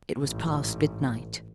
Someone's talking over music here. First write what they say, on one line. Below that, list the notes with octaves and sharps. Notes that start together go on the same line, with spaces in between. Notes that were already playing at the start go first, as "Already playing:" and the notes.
It was past midnight.
A1 G#2